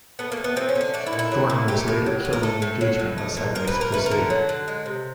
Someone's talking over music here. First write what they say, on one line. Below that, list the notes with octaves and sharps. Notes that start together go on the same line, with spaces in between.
Thornton was later killed in an engagement outside Mexico City.
A3 B3
A#3
D3
B3
F3 C4
C#4
D3
D4
A3 D4
E4
A#2
E4
F#3
A#2
A3 G4
A2
F#3
A2
A#4
A3 A4
A2
F#3
A2
A3
A#2
F3 A#4
B4
A#2
A#4
A3 B4
A#4
D3
F#3
D3
G#3
C3